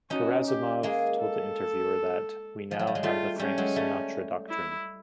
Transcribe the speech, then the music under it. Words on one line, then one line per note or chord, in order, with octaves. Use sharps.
Gerasimov told the interviewer that, We now have the Frank Sinatra doctrine.
C#4 D#4 F#4
G4
G#3 A#3 G#4
A4
F3
F#3
G3
G#3
G3 A3 F4
G3 A3 C#4
F#3 G#3
G3 A3
E4